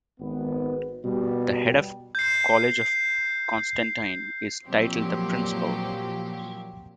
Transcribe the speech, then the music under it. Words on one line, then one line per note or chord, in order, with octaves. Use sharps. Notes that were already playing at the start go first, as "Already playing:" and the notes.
The head of college of Constantine is titled the Principal.
G#1 B3
B2 G3
G6 C7
A#2 F3 F#3 C4 G4